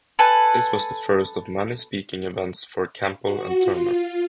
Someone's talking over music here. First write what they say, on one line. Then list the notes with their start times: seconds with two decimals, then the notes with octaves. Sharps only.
This was the first of many speaking events for Campbell and Turner.
0.19 A4 B4 G#5
3.24 F#4
3.60 F4